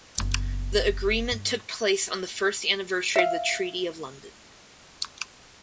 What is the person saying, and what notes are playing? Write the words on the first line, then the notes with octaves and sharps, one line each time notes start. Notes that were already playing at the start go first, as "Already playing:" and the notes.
The agreement took place on the first anniversary of the Treaty of London.
F#1 B3
G2
E5 F5